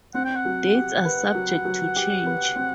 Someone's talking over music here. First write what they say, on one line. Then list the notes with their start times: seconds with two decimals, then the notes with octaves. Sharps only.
Dates are subject to change.
0.14 C4 F#5
0.24 G5
0.36 F#5
0.45 F#3
0.74 G4
1.05 B4
1.35 F#3
1.65 F#3
1.96 G4
2.27 B4
2.56 C4